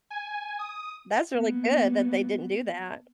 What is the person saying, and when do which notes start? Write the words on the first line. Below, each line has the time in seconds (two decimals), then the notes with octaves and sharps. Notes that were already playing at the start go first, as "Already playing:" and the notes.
That's really good that they didn't do that.
0.10 G#5
0.59 D#6
1.32 A#3 B3